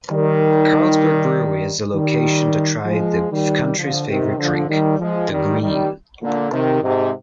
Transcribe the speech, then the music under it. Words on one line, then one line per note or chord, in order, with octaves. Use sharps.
Carlsberg Brewery is a location to try the country's favorite drink, the Green.
D#3 G3
D#3 G3
F3 G#3
D#3 G3
D3 F3
C3 D#3
D3 F3
D#3 G3
F3 G#3
D#3 G3
D#3 G3
A#2 D3
C3 D#3
G#2 C3